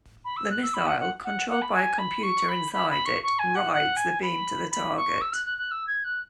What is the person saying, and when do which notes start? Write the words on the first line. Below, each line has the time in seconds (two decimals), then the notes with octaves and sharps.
The missile, controlled by a computer inside it, "rides" the beam to the target.
0.24 B5
0.36 E6
0.50 F#6
0.62 E6
0.74 B5
0.87 F#5
0.99 F#5
1.24 F#5
1.49 F#5
1.62 B5
1.73 G#5
1.98 B5
2.23 C#6
2.49 B5
2.73 B5
2.90 B5
3.05 C#6
3.23 C#6
3.39 G#5
3.55 F#5
3.72 F#5
3.96 G#5
4.22 B5
4.71 B5
4.97 C#6
5.21 E6
5.33 F#6
5.45 F#6
5.58 F#6
5.71 E6
5.87 G#6
6.04 F#6